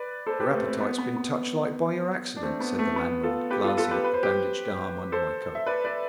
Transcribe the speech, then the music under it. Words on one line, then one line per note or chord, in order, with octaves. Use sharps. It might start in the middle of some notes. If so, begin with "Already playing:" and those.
"Your appetite's been touched like by your accident," said the landlord, glancing at the bandaged arm under my coat.
Already playing: B4 D5
A4 C5
G4 B4
A3 C4
A3 C4
B3
B3
B3
D4
A3 C4
B3
A3
B3
F4 A4
G4 B4
F4 A4
F4 A4
G4 B4
B4
C5
G4 B4
A4 C5
E5
B4 D5
B4 D5